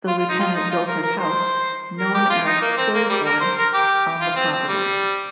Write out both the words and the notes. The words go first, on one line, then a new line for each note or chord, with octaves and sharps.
The lieutenant built his house, known as Closebourne, on the property.
F4
F4
D#4
F4
D#4
F4
A#4
A#4
C5
A#4
G4
F4
D#4
A#3
C4
A#3
G3
A#4
C5
A#4
G4
F4
C4
C4
G3